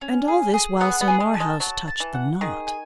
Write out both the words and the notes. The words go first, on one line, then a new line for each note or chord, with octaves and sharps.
And all this while Sir Marhaus touched them not.
C#4
G#4
G#4
B3 F#5
B3
G#4
G#3
A5
G#3
F#3 A5
A5
E3
F#5
D#3 G#4
G#5